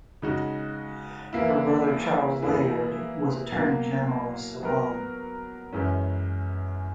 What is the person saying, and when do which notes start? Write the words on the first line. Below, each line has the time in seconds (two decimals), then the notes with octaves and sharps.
Her brother Charles Layard was Attorney General of Ceylon.
0.22 C#3 G#3 D#4 F#4
1.33 E3 A#3 E4
2.42 E3 A#3 E4 G#4
3.52 B2 F#3 A#3
4.63 F#3 B3 F#4 A#4
5.73 F#2 E3 G#3 C#4